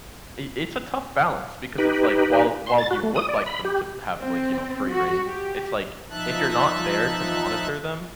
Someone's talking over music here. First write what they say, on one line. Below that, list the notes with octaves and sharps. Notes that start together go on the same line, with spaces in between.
I it's a tough balance because it's, like, while while you would like them to b have like, you know, free reign, it's, like, if you're not there to monitor them,
D#4 G4 B4
C6
A6
F#4
A3
D#6
D5
B5
G4
C4
F#4
G4
F3 D#4 E5 A5 F#6